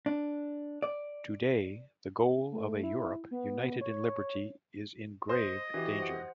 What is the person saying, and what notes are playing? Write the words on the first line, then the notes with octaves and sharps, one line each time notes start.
Today, the goal of a Europe united in liberty is in grave danger.
D4
D5
A3
E4
B3
C#5
C5 D#5
E3 F#4 G4
C5 F#5